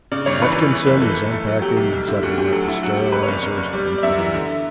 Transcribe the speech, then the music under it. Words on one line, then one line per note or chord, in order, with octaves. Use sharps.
Atkinson is unpacking and setting up his sterilizers and incubators.
C#3 D5
G1 C#5
E3 B4
E3
E3
F#1
E3 A4
E3
A3
F#3
F#3 G4
B1
G3
D3 E4
D2 F#4
D2 G4
F#3 A4
D2 E4
F#3 F#4
D2 G4
F#1 B4
C#5
F#1 D5
F#1
F#1
G3 D5
G3
D5
F#2 E5
E3
D3